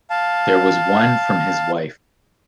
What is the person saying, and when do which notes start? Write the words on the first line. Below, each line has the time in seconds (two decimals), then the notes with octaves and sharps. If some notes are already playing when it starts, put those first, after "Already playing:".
There was one from his wife.
0.10 F5 A5